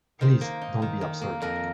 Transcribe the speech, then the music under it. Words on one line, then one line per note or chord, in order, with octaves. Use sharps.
Please, don’t be absurd.
D#3 C5
A#3
D#4
D#3
D#3
A#3
F2 A#4